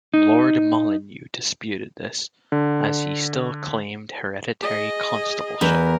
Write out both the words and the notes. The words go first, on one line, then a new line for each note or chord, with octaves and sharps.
Lord Molyneux disputed this as he still claimed hereditary constableship.
D#4
D3
G#4 D#5
E2 A#4 B4